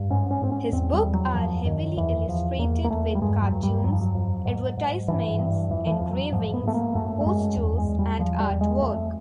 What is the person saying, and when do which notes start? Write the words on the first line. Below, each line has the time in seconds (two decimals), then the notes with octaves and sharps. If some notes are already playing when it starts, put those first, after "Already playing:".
His book are heavily illustrated with cartoons, advertisements, engravings, posters and artwork.
Already playing: G2
0.10 G#2 C#4
0.31 C#4
0.41 G#2 C4
0.52 C#4
0.73 E2 C4
0.93 G3
1.03 E2
1.14 F#3
1.35 F#2 F3
1.65 F#2 D#3
1.97 E2 E3
2.28 E2 F3
2.59 E2 A#3
2.84 A#3
2.90 E2 A3
3.15 G3
3.21 G2 G#3
3.42 F#3
3.52 G2
3.63 G3
3.83 F2 F#3
3.93 F3
4.01 F#3
4.15 F2
4.45 G#2
4.77 G#2
5.08 G2 E3
5.39 G2
5.70 F2 E3
5.87 E3
5.91 F3
6.01 F2
6.12 F#3
6.32 G#2 F3
6.54 B3
6.64 G#2 A3
6.74 A#3
6.95 F#2 A3
7.21 A3
7.26 F#2 G#3
7.57 E2
7.78 G#3
7.88 E2
7.99 G3
8.19 E2 F3
8.40 G3
8.50 E2
8.61 G#3
8.81 F2 A3